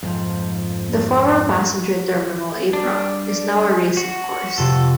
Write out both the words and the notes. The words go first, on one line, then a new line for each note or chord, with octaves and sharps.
The former passenger terminal apron is now a racing course.
F2 G#2 F3
G3 D4
F#4
F2 C3 F#4 A4